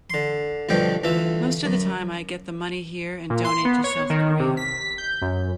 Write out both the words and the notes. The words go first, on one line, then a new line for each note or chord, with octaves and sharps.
Most of time, I get the money here and donate to South Korea.
D3 C6
D2 G2 B2 F3 G3 G5
D2 E3 F4 E5
F#2
A#2
C6
B3
C#5
D#3
C3
B6
G6
F#2